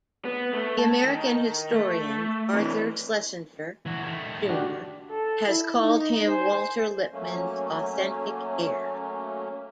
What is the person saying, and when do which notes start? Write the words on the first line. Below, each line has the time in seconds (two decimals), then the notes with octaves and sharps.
The American historian Arthur Schlesinger, Junior has called him Walter Lippmann's authentic heir.
0.25 B3
0.53 A3
0.79 A5
1.05 D#3
1.71 A3
2.54 C3 E3
3.86 E3 F#4
4.02 D#3 A3
4.49 D4 F#4 G4
5.10 A4
5.48 E4
5.80 D#4
6.28 C5 G#5
7.13 F#3 A3 A#3 C#4